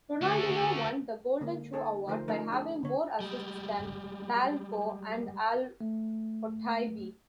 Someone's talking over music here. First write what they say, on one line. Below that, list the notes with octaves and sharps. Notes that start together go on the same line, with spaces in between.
Ronaldinho won the Golden Shoe award by having more assists than Blanco and Al-Otaibi.
A3 F#4
D3 G#3 A#3
D#4 G#4 A4 C#5
D3 F3 A3 D#4 A#4 C5
F3 A3 C#4 D#4 A#4
D4 G#4
D3 C#5
G3 G#3
A3